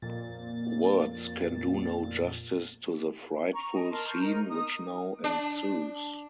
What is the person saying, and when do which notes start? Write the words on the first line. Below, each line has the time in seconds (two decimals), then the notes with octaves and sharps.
Words can do no justice to the frightful scene which now ensues.
0.02 F2 A#2 A6
3.53 A#5 C#6
3.73 D#5
3.91 A#4 A5 C6
4.06 C6 C#6 F6 G6
4.21 D#4 A#4 A#5
4.49 D#4 A#5 D#6
5.24 D4